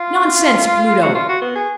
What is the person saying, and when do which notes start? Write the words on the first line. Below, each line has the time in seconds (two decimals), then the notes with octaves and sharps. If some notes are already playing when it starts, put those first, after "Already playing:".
Nonsense, Pluto!
Already playing: F4
1.02 F#4
1.15 F4
1.29 F#4
1.42 B3
1.55 G#4